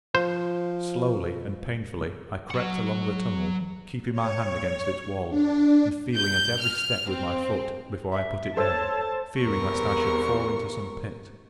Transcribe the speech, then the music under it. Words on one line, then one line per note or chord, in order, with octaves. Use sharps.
Slowly and painfully I crept along the tunnel, keeping my hand against its wall, and feeling at every step with my foot before I put it down, fearing lest I should fall into some pit.
F3 C5
F#3 F#5
C#5
D4
G6
F6
C4
E5
A4 C5 C#5 A5 E6
E2 C3 A#4 C#6